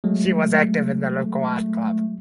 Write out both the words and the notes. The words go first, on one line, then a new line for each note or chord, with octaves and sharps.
She was active in the local art club.
F#3 G#3 A3